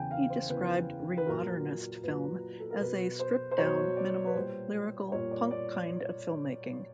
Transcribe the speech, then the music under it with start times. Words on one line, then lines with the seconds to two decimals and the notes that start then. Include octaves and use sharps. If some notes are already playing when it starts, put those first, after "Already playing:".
He described Remodernist film as a "stripped down, minimal, lyrical, punk kind of filmmaking".
Already playing: E2 C#3 E3 G5 G#5
0.11 F5
0.30 C5
0.49 E2 C#3 E3 B4
1.17 B4
1.26 A#2 F#3 A#4
2.03 A#2 F#3 B4
2.60 A4
2.70 A#4
2.81 B2 F#3 B4
3.19 C5
3.51 C5
3.58 B2 F#3 C#5
3.97 D5
4.27 B4
4.35 A#2 G3 C5
5.12 A#2 G3 C#5
5.31 D5
5.51 D5